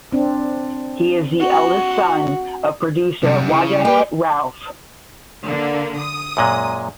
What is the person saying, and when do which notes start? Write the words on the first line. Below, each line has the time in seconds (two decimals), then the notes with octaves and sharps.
He is the eldest son of producer Wajahat Rauf.
0.12 C4 D4
1.40 F#4
3.23 F#2 C3 G3
3.50 C#3 E4
3.85 A#3 G4 B4
5.46 D3 A#3
5.97 D#6
6.37 F#2 A#2 G#3